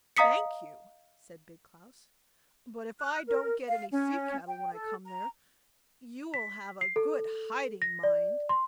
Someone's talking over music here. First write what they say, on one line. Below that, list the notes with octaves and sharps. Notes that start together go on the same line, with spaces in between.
'Thank you,' said Big Klaus; 'but if I don't get any sea-cattle when I come there, you will have a good hiding, mind!'
D#5 F5 A#5 D#6 B6 C#7
F#6
A#4
F5
C#4
G5
A4
A#5
B6
C7
A4
A#6
D5
C6